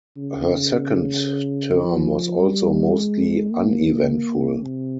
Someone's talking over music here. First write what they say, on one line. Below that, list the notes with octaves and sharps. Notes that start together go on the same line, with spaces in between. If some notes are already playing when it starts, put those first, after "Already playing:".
Her second term was also mostly uneventful.
C#3
F3
G3
G#3
A#3
C3